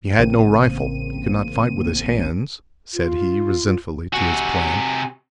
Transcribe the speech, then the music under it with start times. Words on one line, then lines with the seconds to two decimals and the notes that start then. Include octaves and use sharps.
He had no rifle; he could not fight with his hands, said he resentfully to his plan.
0.19 A1 C#3 A#3 C4 D#7
2.92 F4
4.14 C3 F#4 G#5